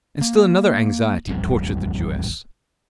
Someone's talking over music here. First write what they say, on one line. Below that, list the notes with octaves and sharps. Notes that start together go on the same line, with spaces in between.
And still another anxiety tortured the Jewess.
A#3
D#1 A1 F2 G3